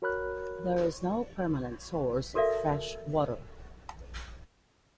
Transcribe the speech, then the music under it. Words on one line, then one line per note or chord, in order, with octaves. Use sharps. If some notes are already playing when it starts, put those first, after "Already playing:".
There is no permanent source of freshwater.
F#4 A#4 C#5 B5 F6 F#6
F#4 A4 A#4 D5 E5 F5